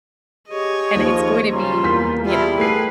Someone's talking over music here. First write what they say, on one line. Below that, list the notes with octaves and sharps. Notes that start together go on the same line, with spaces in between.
and it's going to be u you know,
G4 G#4 C#5 D#5
D#2 F3
C#3 G3 F4 A#5 C6
E2 A#3 G6 B6
G3 E4 F4 G#4 A5
A3 G#4 A#4 B4 F#5 A5 C7